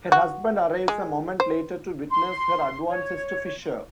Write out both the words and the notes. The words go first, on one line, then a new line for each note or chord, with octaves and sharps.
Her husband arrives a moment later to witness her advances to Fischer.
F#4
G#3
C5
C6
C#5